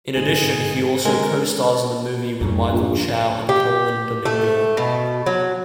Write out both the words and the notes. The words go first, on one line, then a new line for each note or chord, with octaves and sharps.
In addition he also co-stars in the movie with Michael Chow and Colman Domingo.
G1 G#2 G#4 F7
D3 G#3 A#4
A6
F2 G#2 G3 C#4
A#1
G4
A3
B2
F#3